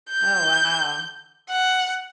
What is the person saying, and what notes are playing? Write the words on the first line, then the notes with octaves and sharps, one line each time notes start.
Oh, wow.
G6
F#5